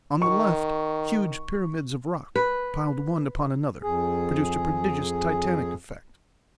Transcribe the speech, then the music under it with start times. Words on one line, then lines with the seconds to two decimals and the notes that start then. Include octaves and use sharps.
On the left huge pyramids of rock, piled one upon another, produced a prodigious titanic effect.
0.22 D#3 C#6
2.36 B4
3.83 F2 G#4